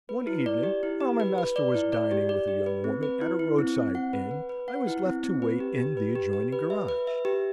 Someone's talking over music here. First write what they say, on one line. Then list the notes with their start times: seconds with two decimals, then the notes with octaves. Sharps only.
One evening while my master was dining with a young woman at a roadside inn I was left to wait in the adjoining garage.
0.09 B4
0.27 E4
0.46 D5
0.63 G4
0.83 E4
1.01 G4
1.20 B4
1.38 B4
1.56 D5
1.75 E4
1.93 D5
2.11 G4
2.29 D5
2.48 G4
2.66 B4
2.84 C4
3.03 B4
3.21 E4
3.39 E4
3.59 C4
3.76 C4
3.95 F#5
4.13 B4
4.31 B4
4.49 B4
4.68 F#5
4.87 E4
5.05 C4
5.24 C4
5.42 B4
5.60 G4
5.78 G4
5.97 B4
6.15 G4
6.33 G4
6.52 B4
6.70 E5
6.88 B4
7.07 E5
7.25 G4